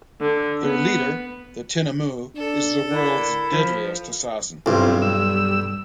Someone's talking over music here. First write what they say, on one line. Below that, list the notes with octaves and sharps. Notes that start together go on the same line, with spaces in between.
Their leader, the Tinamou, is the world's deadliest assassin.
D3
B3
D4 A4
D3 E4 A#4
F3
B1 G2 C4 E4 F4
G3 E6